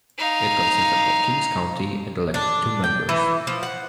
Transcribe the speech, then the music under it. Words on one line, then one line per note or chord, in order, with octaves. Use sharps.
It consisted of King's County, and elected two members.
D#4 F5
D4
G5
E3
F3
F#5